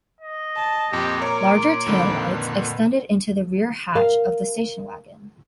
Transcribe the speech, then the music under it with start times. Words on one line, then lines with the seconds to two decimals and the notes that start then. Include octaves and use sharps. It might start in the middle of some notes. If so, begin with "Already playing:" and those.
Larger taillights extended into the rear hatch of the station wagon.
0.21 D#5
0.56 A5
0.93 F2 A#2 G4
1.22 A#4 C#5 D6
1.86 F2 D3 D#3 B5
2.24 B4
3.95 A#4 F5